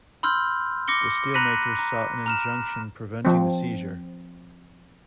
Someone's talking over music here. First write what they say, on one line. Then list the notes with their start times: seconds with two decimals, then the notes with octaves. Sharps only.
The steelmakers sought an injunction preventing the seizure.
0.23 B5 C6 E6 F6 G6
0.88 D6 A#6 C#7 G7
1.34 A#5 B5 F#6 A#6 B6 D#7
1.79 A#5
2.26 A#5 F6 E7
3.25 F3 C4